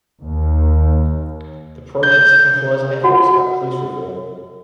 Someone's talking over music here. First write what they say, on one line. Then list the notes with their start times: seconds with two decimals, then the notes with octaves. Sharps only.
The protests catalyzed efforts at police reform.
0.21 D#2
2.03 G6
3.03 F4 F#4 F#5